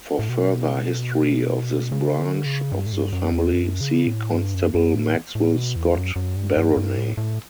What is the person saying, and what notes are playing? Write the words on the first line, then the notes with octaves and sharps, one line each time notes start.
For further history of this branch of the family, see Constable Maxwell-Scott baronets.
A2
B2
C#3
D3
C#3
G2
A2
G2
F#2
E2
F#2
C#3
A2
G2
F#2
F#2
A2
A2
B2
E2
F#2
F#2
G2
G2
G2
A2
A2